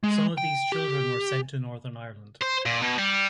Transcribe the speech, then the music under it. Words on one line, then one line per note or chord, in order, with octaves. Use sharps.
Some of these children were sent to Northern Ireland.
G#3
G5
G4
C5
A#2
B2
G3